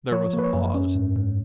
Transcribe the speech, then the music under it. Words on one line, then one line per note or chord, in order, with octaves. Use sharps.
There was a pause.
F3 C#5
A#3
B4
C#5
F#2
C#4
G#2
G#2